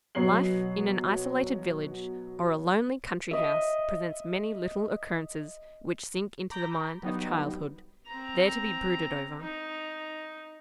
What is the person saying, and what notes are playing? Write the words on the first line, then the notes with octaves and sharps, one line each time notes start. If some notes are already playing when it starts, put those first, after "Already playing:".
Life in an isolated village, or a lonely country-house, presents many little occurrences which sink into the mind of childhood, there to be brooded over.
B2 F#3 B3 C7 F#7
D#5 E5
A#5 B5 D6 G6 A#6
F#3 G3 B3 D#4 G4
C4 A#5
D#4